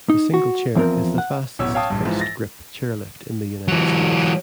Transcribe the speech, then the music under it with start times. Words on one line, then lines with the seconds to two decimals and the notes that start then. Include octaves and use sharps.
The Single Chair is the fastest fixed-grip chairlift in the United States.
0.10 D#4
0.34 F#4
0.75 E2 F3 C4 A#4
1.18 F#5
1.59 D1 A1 B2 C#5 E6
1.74 C#5 F5 G5 A5 D#6
1.90 A#1 G2
2.05 G#2 E3 F3
2.20 A6 A#6
3.68 E3 F#3